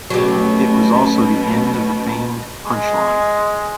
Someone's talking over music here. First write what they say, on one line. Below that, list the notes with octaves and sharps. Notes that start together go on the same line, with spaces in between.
It was also the end of the famed "Punch Line".
B2 F#3 A3 C#4 G4
G#3